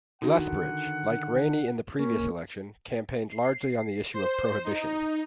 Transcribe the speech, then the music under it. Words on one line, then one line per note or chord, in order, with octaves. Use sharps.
Lethbridge, like Raney in the previous election, campaigned largely on the issue of prohibition.
D3 D#3 D#4 F#4 F#5
A#3 C#4
C7
C5
D#4